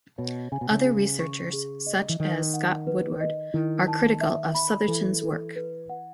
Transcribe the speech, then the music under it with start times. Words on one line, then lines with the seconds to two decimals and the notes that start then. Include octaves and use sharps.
Other researchers such as Scott Woodward are critical of Southerton's work.
0.18 B2 C#5
0.52 C#3 G#5
0.61 B2
0.70 C#3
0.85 G#4
1.19 C#6
1.53 G#4
1.86 D#5
2.09 E3
2.20 D#3 D#4
2.54 F#5
2.87 B4
3.20 D#5
3.54 D#3 E4
3.88 A5
4.21 E5
4.55 B5
4.88 E3 A4
5.22 A4
5.56 B4
5.89 F#5